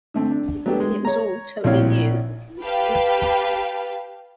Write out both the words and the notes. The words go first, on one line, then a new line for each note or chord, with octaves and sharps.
It was all totally new.
D3 A3 C4
D4
F#3 A3 B3 D4 G4
G#3
C#5 A#5
A#1 A2 C4 F#4 C#5 F5
G4 B4 F5 G5 A5